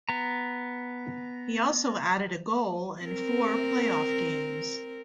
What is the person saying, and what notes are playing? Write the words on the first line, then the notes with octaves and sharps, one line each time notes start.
He also added a goal in four playoff games.
B3 A#5
C4 A#4